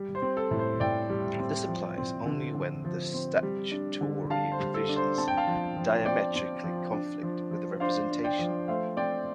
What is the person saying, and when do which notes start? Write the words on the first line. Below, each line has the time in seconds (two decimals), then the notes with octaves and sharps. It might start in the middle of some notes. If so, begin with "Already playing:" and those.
This applies only when the statutory provisions diametrically conflict with the representation.
Already playing: G3
0.15 C5
0.22 C4
0.37 A4
0.51 A2
0.59 C5
0.80 A2 D5 G5
1.10 G3
1.39 C4
1.68 F3
1.98 C4
2.26 D3
2.55 D3
2.85 F3
3.14 C4
3.43 G3
3.72 D4
4.01 D3
4.30 D3 F5 A5
4.52 C5
4.60 G3
4.74 A4
4.89 D4
4.96 C5
5.18 C4 A5
5.28 G5
5.37 F5 A5
5.47 F3
5.77 F3
6.05 C4 D5 G5
6.35 C4
6.64 F3
6.93 D4
7.23 F3
7.51 F3
7.80 D4 C5 F5
8.10 D4
8.24 D5 G5
8.39 F3
8.68 A3 C5 F5
8.97 C4 D5 G5